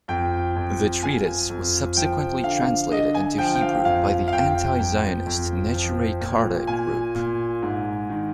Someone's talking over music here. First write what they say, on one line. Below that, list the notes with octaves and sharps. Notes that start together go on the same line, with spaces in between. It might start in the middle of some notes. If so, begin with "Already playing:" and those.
The treatise was subsequently translated into Hebrew by the Anti-Zionist Neturei Karta group.
F2 G5
F2
F2 G#5
F2
F3 G5
D3 F5
D3 D#5
G#5
F3 G5
G5
F5
F2 F5
F5
F2 G5
F2
F2
F3
A#2
A#2 G#5
A#2
G#2
D#3